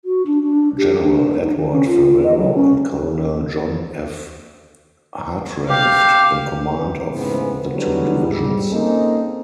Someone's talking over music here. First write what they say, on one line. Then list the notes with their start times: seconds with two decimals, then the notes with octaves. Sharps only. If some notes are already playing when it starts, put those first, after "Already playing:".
General Edward Ferrero and Colonel John F. Hartranft in command of the two divisions.
0.05 F#4
0.26 D4
0.43 D4
0.78 G4
1.03 D4
1.43 D#4
1.56 D#3
1.72 C#4
1.87 F4
2.24 D#5
2.38 F#3
2.55 C#4
5.70 G4 F5
7.12 G#2 C#3 E3 A3 B3 C4
7.73 D3 E3 F#3 G3 B3
8.27 G#2 G3
8.71 A#3 C4 C#4 D#4 G#4 A4